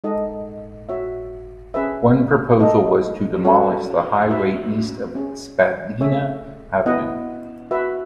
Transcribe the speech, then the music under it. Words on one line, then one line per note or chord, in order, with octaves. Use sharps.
One proposal was to demolish the highway east of Spadina Avenue.
G#3 D#4 A4 D#5 F#5
F#4 C#5 E5
C#4 G#4 B4 E5
D#4 A4 D#5
C#4 F#4 A4 C#5
F#4 B4 E5
C#4 G#4 C#5
A3 C#4 G#4 C#5 E5
B3 E4 B4 D#5 F#5
F#4 B4 E5